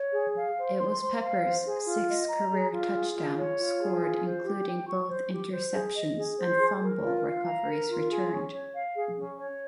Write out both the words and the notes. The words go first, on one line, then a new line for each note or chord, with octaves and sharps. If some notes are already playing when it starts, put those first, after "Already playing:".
It was Peppers sixth career touchdown scored including both interceptions and fumble recoveries returned.
Already playing: C#5
G#4
F5
C5
C6
C5
F5
C5
G#4
F4
D#5
A#5
G#4
F4
G#4
F4
C#5
F4
G#4
F4
C5
G4
G5
C#6
C5
G4
C5
G#4
D#5
G#4
C5
G#4
A#4
F4
F5
A#5
A#4
F4
G#4
C#4
C#5
F5
G#4
C#4
C#5